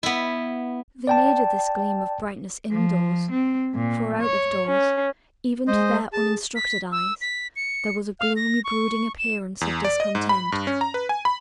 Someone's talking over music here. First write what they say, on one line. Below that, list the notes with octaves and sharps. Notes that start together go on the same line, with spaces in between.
They needed this gleam of brightness in-doors, for out-of-doors, even to their uninstructed eyes, there was a gloomy brooding appearance of discontent.
B3 E4
D5 G5 A5
F3
C4
A#2
C#5
C#4
G#3 C5 D#5
G#4 A5
B6
E6
B6
C#7
F5
A#6
C#6
E7
E2
D5
D#5
G#2
B5
G2
C#4
A#5
B4
G#5
B5